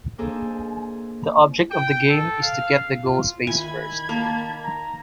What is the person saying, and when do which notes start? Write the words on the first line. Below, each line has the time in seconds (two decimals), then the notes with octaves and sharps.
The object of the game is to get to the goal space first.
0.18 A#3 D4 D#4 G#4 A4 C5
1.72 G5
2.10 A4
2.42 F5
3.05 F4
3.47 D#3 E4 G#5 B5 G#6
4.09 A#3 A5
4.64 A#5